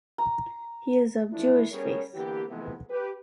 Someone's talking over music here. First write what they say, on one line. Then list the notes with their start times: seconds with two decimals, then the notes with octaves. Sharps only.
He is of Jewish faith.
0.18 A#5
1.31 E3 F3 A3 D4 E4
1.71 G3 B3 C#4 G#4 A#4 C#5
2.14 D3 E3 A#3 B3 G4
2.48 C3 E3 F3 G#3 A3 B3
2.90 G4 B4